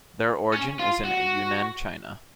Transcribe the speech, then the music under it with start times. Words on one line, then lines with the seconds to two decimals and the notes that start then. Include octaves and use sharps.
Their origin is in Yunnan, China.
0.53 C#4
0.79 F4
1.05 F#4